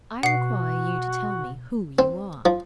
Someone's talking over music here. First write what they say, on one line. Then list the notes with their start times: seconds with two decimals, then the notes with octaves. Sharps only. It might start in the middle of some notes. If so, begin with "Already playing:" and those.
I require you to tell me who you are.'
0.23 B2 F#4 F#5 C7
1.99 C4
2.45 F3